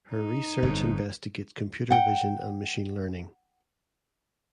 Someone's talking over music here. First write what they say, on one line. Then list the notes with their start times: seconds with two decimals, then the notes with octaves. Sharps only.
Her research investigates computer vision and machine learning.
0.13 D#4
0.63 G1 F2 G#2
1.90 F#5 G5